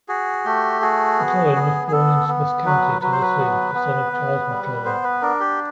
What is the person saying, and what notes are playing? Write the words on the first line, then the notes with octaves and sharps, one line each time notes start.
McLellin was born in Smith County, Tennessee, a son of Charles McLellin.
F#4 G#4
A3 G4
F#4 G#4
B3
B3
G#4
B3 A4
B3
F#3 B4
F#3 B4
C5
B4
B3
B3
B3
G3
B3 C5
B4
D4 A#4
G4